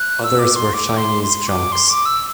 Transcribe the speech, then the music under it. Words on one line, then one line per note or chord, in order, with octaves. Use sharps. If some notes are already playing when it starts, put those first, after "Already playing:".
Others were Chinese junks.
Already playing: F#6
E6
D6
C6
D6
C6
C6
D6
C6
D6
E6